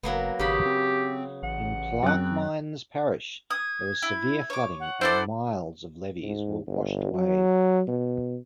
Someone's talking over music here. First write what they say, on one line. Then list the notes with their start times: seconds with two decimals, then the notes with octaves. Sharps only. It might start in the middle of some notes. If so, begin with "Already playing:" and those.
In Plaquemines Parish, there was severe flooding and miles of levees were washed away.
0.03 F#1 F#3 A#3 B3
0.39 G#1 C#3 G4 B5
0.66 C4
1.43 A1 F#5
2.03 F#2 C4 F#6
3.50 D#6 G#6
4.02 E4
4.50 C#5 D6
4.80 F#5
5.01 E4 A4 C5 D5
6.23 G#2
6.67 G1
7.14 F#3
7.88 B2